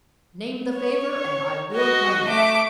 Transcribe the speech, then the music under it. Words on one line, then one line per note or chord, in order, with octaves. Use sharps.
"Name the favor and I will grant it."
C#5
F#4 D#5
A3 D6